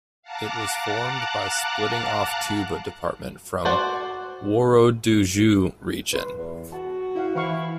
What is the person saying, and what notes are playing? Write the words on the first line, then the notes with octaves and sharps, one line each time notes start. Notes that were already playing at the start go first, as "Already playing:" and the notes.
It was formed by splitting-off Touba Department from Worodougou Region.
F5 F#5 A5 A#5 D6 F#6
F#4 C5 D5
B4 C6
E2
F#4 A5
E4 F4 F5 F#5
E3 E4 C5 F5 C#6